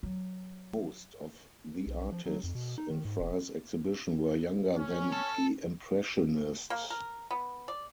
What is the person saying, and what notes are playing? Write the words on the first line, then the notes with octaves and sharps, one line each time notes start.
Most of the artists in Fry's exhibition were younger than the Impressionists.
F#3
B1
F3
F#3
F2
B2
D#4
D#3
G#2
E1
C#4
A4
A#3
A#4
B3
D5